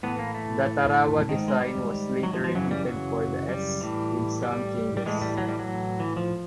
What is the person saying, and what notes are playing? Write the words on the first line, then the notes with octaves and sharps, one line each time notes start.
The "Tarawa" design was later repeated for the s, with some changes.
A2 E3 B3
A#3
A3
G#2 D#3
G#3
G3
F#3
F3
F3
F#2 C#3 E3 F#3
G3
F#3
G3
A2 E3
G3
G3
A2 E3 G#3
G3
F#3
G3
F#3
E3
F3